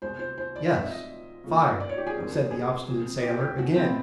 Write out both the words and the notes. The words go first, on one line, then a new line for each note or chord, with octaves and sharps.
"Yes, fire!" said the obstinate sailor again.
C2 B2 G#3 B3 C5
C5
C5
D5
G#2 F3 G#3 C4 F4 E5
D#5
C#3 F3 A#3
D5
C#5
G4
G#4
A#1 G#2 D#3 G3 C4
G#4
C3 F3 G#3 C4
G4
G4
C2 B2 G3 F#4
C4
B3